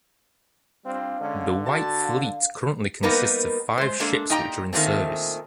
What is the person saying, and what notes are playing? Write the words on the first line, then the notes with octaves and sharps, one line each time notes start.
The White Fleet currently consists of five ships which are in service.
G3 C4 D4 F4 F5
D3 G#3 C#4
F#4 A5
F5
G3 A#3 B3 D#4 A#4 B4
G#3 C5
G#3 A#3 D4 A4
A#2 D#4 G4 D#5 G5 A#5
A#2 D#3 E3 G#3 A3 C4